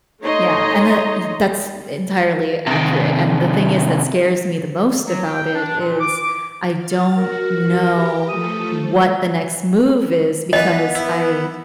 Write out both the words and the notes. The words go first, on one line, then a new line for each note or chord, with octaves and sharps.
Yeah, and the ye that's entirely accurate. And the thing is that scares me the most about it is I don't know what the next move is because I
A3 D#4 C#5 D#5 A#5 C6
C3 D#3
F#3
G5
D4
A#2
D6
F6 A6
F#4 A#4
G4 A#5
F3 A3 A4 D#6
F3 G3
E3 B3 B4 D#5
E4